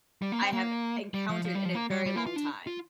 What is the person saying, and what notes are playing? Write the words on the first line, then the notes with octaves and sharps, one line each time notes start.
I have encountered in a very long time,
G3
A#3
C4
A#3
G3
F3
F3
G3
F3
A#3
G3
G3
A#3
F4
D4
F4